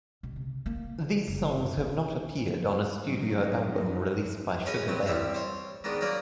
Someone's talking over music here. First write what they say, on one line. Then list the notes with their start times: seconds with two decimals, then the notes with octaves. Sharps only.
These songs have not appeared on a studio album released by Sugababes.
0.23 B2
0.36 C3
0.66 A#3
1.27 F#1
1.77 A#2
3.05 D#3 F#3 G#3 C#4 D#4
4.66 C#4 G#4 B4 C#5 D#5 G#5
4.88 F#3 B3 C4
5.05 A1 G3 C4 E5 C6
5.34 C5 C#5 C6
5.84 G#2 D#3 B3 D4
6.01 F#3 A#3 D4 A#4 B4